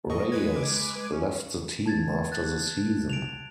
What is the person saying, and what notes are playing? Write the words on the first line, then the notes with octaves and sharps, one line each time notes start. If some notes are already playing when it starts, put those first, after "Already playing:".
Reyes left the team after the season.
A2 D#5 C#6
G#3 B4 G#6
D6
C#4
A5 G#6 A6
F#6 A6
D7 E7 F7